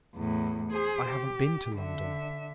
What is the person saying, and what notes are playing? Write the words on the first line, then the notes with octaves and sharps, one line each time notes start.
'I haven't been to London.
E2 A2
G#4 C5
G4
D3 E5